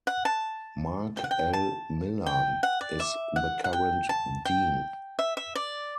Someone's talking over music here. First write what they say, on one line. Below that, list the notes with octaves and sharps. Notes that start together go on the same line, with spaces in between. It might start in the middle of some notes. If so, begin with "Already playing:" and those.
Marc L. Miller is the current Dean.
F#5
A5
G5
F#5
G5
A5
G5
F#5
D5
E5
F#5
F#5
G5
A5
G5
E5
E5
D5